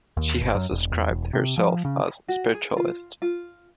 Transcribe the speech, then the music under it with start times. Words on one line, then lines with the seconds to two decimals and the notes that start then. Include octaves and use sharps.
She has described herself as spiritualist.
0.17 D#2
0.41 G1
0.55 F#2
0.72 E1
0.92 E2
1.09 E1
1.33 C3
1.58 F3
1.85 C#3
2.28 F#4
2.54 G#4
2.77 F4
3.22 F4